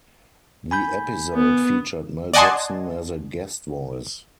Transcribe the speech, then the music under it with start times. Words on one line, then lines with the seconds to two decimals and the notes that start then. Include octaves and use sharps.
The episode featured Mel Gibson as a guest voice.
0.71 G#5 B5 G6
1.34 B3
2.33 D5 D#5 F#5 G#5 A5 C6